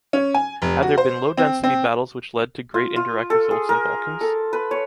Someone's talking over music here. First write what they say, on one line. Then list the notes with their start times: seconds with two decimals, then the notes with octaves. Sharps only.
Had there been low-density battles which lead to great indirect results in Balkans?
0.13 C#4
0.35 G#5
0.62 F1
0.82 F#4
0.98 C5
1.37 C4
1.64 C4
2.74 F4
2.96 F4
3.30 A4
3.51 G#4
3.69 A#4
4.21 A4
4.53 B4
4.71 C#5